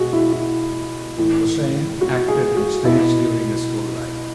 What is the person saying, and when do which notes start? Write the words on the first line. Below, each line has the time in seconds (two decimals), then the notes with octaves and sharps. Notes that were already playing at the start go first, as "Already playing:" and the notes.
Hossain acted in stage during his school life.
Already playing: B2 F#4 G#4
0.13 E4
0.33 E4
1.17 A2 E3
2.01 F#4
2.28 G#4
2.57 F#4
2.84 B2 E4